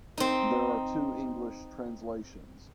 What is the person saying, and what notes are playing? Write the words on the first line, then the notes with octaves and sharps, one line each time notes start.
There are two English translations.
C4 D#4